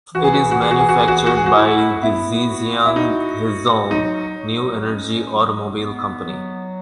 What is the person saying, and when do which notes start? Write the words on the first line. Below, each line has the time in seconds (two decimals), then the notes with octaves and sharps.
It is manufactured by the Zhejiang Hezhong New Energy Automobile Company.
0.14 E3 F#4
0.24 G#4
0.33 F#4
0.42 G#4
0.51 F#4
0.61 E3 G#4
0.71 F#4
0.79 G#4
0.89 F#4
0.99 G#4
1.08 E3 F#4
1.17 G#4
1.26 F#4
1.36 G#4
1.46 F#4
1.56 E4
2.02 B3 E4
2.49 F#4
2.85 E4
2.96 D#4 F#4
3.44 F#4
3.90 F#3 D#4
4.38 F#3
4.85 C#4
5.31 F#3
5.78 B3
6.25 F#3